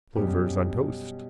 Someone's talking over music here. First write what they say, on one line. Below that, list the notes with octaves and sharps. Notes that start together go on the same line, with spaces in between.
Plovers on toast.
F#2 B2 G3 C#4 G4